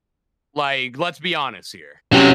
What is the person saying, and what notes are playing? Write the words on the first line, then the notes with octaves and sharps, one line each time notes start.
Like, let's be honest here.
C3 F#3 C#4 G4